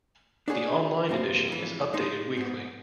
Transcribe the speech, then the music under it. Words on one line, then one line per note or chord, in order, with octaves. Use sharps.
The online edition is updated weekly.
D4 D#4 F#4 G#4 B4 C#5
F#2 C3 A#3 C4
F2 E3
G#3 D#4 C5
G#2 B3